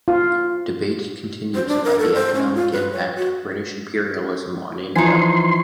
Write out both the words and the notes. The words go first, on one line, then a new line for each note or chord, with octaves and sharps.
Debate continues about the economic impact of British imperialism on India.
F4
C5
D4
A#4
A4
C5
C#4
F4
B4
C#5
F#4
E3 F3 D#4 G#5 C6